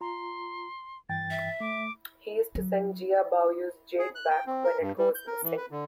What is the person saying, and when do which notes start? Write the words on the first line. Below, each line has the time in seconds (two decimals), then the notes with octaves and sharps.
He is to send Jia Baoyu's jade back when it goes missing.
0.01 F4 A#5 C6
1.09 G2 E3 G5 A6
1.30 E5
1.60 A3 D6
2.55 F#3
3.99 G#4
4.15 F#6
4.30 G5
4.46 C4
4.64 A#4
4.81 G2
4.98 G3
5.15 G6
5.27 A#4
5.43 E3
5.57 B4
5.71 D3